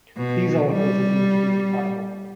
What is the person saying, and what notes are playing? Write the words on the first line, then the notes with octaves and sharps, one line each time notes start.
These oracles are deemed to be infallible.
B2
G3